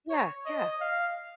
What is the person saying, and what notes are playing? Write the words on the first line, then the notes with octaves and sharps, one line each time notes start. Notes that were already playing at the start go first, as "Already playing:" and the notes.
Yeah, yeah.
C#5
D#5
F5